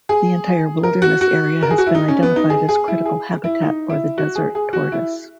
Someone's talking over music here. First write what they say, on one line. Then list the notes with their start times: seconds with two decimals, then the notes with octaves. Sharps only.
The entire wilderness area has been identified as critical habitat for the desert tortoise.
0.09 G#4
0.83 A#4
1.02 F#4
1.21 F#4
1.63 A#4
1.71 G#4
1.78 F#4
1.86 E4
1.95 D#4
2.08 C#4
2.23 B3
2.36 D#4
2.50 G#4
2.69 G#4
2.88 E4
3.06 G#4
3.44 E4
3.61 D#4
3.89 E4
4.18 F#4
4.35 G#4
4.55 G#4
4.73 F#4
4.92 E4